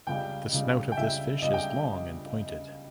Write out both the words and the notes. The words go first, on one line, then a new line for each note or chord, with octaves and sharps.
The snout of this fish is long and pointed.
C#2 C#3 G3 G5
C#2 C#3 G3
G5
C#2 C#3 G3 E5
C#2 C#3 G3 D#5
G5